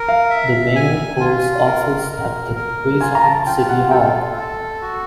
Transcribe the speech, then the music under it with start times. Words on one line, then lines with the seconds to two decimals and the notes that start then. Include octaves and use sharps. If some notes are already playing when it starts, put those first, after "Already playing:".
The mayor holds office at the Quezon City Hall.
Already playing: A#4
0.08 F5
0.30 E5
0.76 G#5
1.20 F4
1.66 A#4
2.11 A#4
2.56 A#4
3.01 F4 G#5
3.15 A#5
3.24 A5
3.46 F4 G5
3.69 F#5
3.91 A4 G5
4.36 A4
4.81 F#4